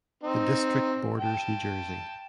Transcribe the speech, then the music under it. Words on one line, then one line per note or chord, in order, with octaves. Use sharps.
The district borders New Jersey.
C4 D#4
G5 A5